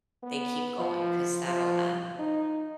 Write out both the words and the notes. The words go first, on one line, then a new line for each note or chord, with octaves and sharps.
they keep going 'cause that'll, um
B3
F3
F3
D#4